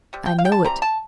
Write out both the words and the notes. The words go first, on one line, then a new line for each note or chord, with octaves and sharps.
I know it.
C3 G3
G5
F5
G5
A5
E3 G3 C4 A#5
A5